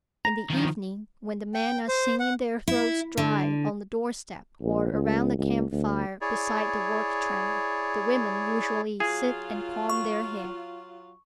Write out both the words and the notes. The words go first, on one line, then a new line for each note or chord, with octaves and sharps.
In the evening, when the men are singing their throats dry on the doorstep, or around the camp-fire beside the work-train, the women usually sit and comb their hair.
A#5
D#3 F3
G5
C5
F#5
E4
D3
A#1
C#2
C#2
D2
E4 G#4 C#5 D5
F#3 F4 G#4
C#6